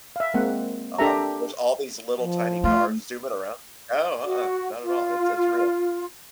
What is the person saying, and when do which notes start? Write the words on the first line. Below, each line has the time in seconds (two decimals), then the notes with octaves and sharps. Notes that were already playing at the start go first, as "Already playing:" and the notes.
um, there's all these little tiny cars zooming around No, uh-uh, not at all, it's it's real
0.16 E5 F5
0.34 G#3 A#3 C4 F#5
0.98 D4 G4 A4 A#4 E5 A#5
2.20 F3
2.64 A3 F4
4.25 F#4
4.82 F4